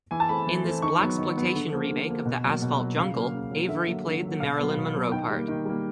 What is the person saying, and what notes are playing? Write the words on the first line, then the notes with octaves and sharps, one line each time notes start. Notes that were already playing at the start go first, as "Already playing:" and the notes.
In this blaxploitation remake of "The Asphalt Jungle", Avery played the Marilyn Monroe part.
E3 G#5
A5
A3 C4 B5
E3
A3 C4
D#3 C#6
F#3 B3
D#3
F#3 B3
D3
F3 A#3
D3
F3 A#3
B2
F#3 A#3
B2
F#3 A#3
C#3 F5
F#3 A#3
C#3
F#3 A#3
D3 E5
F#3 A#3
D3
F#3 A#3
B2 F5
F#3 B3
B2
F#3 B3
D#3 G5
G3 A#3
D#3
G3 A#3